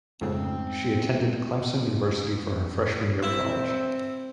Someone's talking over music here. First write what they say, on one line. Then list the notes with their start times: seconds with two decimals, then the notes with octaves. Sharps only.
She attended Clemson University for her freshman year of college.
0.21 F2 G#2 C#3 A3 C4
3.23 C4 E4